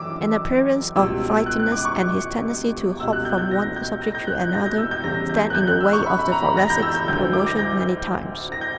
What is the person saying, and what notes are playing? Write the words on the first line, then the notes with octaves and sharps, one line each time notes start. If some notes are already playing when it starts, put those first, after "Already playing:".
An appearance of flightiness and his tendency to hop from one subject to another, stand in the way of the Thoracic's promotion many times.
Already playing: F#2 E3 D6 E6
C#2 B2 G3 E6
F#6
F#6
D6
C#6
C#2 B2 G3 E6
F#6
G6
G6
A#6
G6
A#6
G6
F#6
G6
A#6
G6
E6
G6
E2 C#3 G3 A#6
G6
F#6
G6
F#6
E6
C#6
B5
B5
A#5
B5
A#6
G6
E6
G6
D2 D3 F#3 G6
D6
A#6
G6
A#6
G6